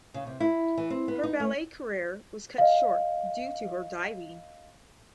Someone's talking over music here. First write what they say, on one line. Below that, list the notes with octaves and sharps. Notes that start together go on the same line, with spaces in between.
Her ballet career was cut short due to her diving.
C#3
C3
E4
E3
C4
B3
D#4
A3
D#5 F5